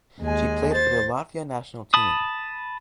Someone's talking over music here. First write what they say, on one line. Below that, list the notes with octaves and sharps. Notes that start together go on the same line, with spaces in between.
She played for the Latvia national team.
D#2 G#3 G#5
C5 A6
A5 B5 D#6